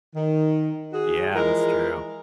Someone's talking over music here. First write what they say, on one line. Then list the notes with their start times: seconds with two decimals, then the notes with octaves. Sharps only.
Yeah, that's true.
0.15 D#3
0.93 F#4 G#4
1.35 E3 F3 G#3 A#4